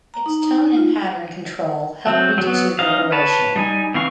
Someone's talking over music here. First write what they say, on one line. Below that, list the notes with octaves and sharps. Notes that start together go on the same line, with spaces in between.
Its tone and pattern control helped reduce reverberation.
A#5
D#4
D#4
F4
F#3 C4
F#3 B3
C#4 D#4 F5
B4 C#5 A5
G3 D#4 G#5
E3 C4 F5 C#6